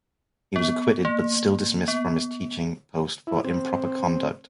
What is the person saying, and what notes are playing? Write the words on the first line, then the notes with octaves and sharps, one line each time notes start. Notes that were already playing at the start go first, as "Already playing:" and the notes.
He was acquitted, but still dismissed from his teaching post for "improper conduct".
B3
A#3
B3
E4
C4